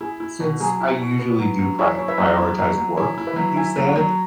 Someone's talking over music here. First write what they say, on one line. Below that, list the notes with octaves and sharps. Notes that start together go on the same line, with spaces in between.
since I usually do prio prioritize work, like you said,
E4 G#4
E4
B2
F#3 G#4
E4
B2
B3
F#3
F#3
E4 G#4 C#5
E4 C#5
B4 E5
F#3
E4
F#3
F#3
E4 G#4 C#5
E4
B4 E5
F#3
E4 E5 G#5
F#3
C#5 F#5
F#3